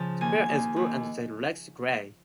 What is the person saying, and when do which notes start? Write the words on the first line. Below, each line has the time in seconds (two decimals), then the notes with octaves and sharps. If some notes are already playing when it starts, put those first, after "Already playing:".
The bill is blue and the legs grey.
Already playing: C#3 F3 A5
0.21 D#2 G#5
0.49 D#2
0.76 D#2